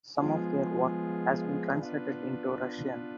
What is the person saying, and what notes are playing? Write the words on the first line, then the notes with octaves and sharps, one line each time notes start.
Some of her work has been translated into Russian.
F3 G#3 B3 F4 G#4
B3 D4 F4 B4